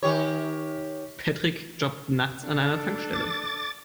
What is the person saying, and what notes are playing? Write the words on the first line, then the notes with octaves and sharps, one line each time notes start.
Patrick jobbt nachts an einer Tankstelle.
D#3 G4 C#5
D4 A4
D6 A6